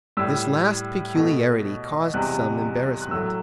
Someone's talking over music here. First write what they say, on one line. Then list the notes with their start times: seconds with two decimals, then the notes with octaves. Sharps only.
This last peculiarity caused some embarrassment.
0.17 A2 G3 E6
1.15 B2 A3
2.14 E2 C3 G3 F#6
3.02 F#6
3.11 A2 F#3 A3 E6